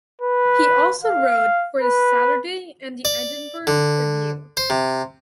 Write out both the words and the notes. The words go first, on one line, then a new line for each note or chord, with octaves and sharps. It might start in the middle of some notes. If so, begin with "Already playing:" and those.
He also wrote for the "Saturday" and the "Edinburgh Review".
B4
F5
B4
D5
D3
C5
C3